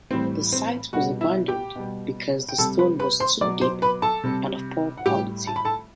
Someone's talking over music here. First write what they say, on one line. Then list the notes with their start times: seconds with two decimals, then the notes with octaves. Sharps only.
The site was abandoned because the stone was too deep and of poor quality.
0.11 A2 E3 G3 C4 C5
0.52 C4 C5
0.93 B2 G3 F#4 F#5
1.21 E4 E5
1.48 G4 G5
1.76 B2 G3
2.49 G5
2.58 C3 G3 A4 A5
2.79 B4 B5
2.99 B4 B5
3.20 C5 C6
3.41 B2 F#3 D5 D6
3.61 C5 C6
3.82 B4 B5
4.02 A4 A5
4.24 C3 G3
4.97 F#5
5.06 A2 G3 G4 G5
5.47 A5
5.56 B5
5.65 A4 A5